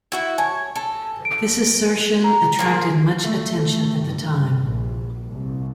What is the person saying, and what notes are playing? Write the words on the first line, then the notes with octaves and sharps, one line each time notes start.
This assertion attracted much attention at the time.
E4 F#4 E5
C#5 G#5 A5
A4
D7
A#5
F3 A#3 G#4
A3
A3
G2
A#1
C2